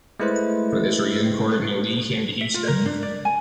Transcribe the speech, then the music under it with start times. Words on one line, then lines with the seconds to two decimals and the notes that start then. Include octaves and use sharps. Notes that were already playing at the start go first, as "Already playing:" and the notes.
For this reason, Courtney Lee came to Houston.
0.20 G#3 A3 E4 B4 C5
2.41 E5
2.54 F4
2.67 A#4
2.86 D4
3.03 D5
3.25 G#5